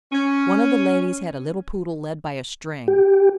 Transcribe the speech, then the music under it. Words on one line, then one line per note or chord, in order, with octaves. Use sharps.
One of the ladies had a little poodle led by a string.
C#4
G4